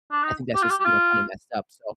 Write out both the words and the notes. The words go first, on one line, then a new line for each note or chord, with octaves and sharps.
I think that's just, you know, kind of messed up, So,
D4
D#4
G4
F4
G4
G4
F4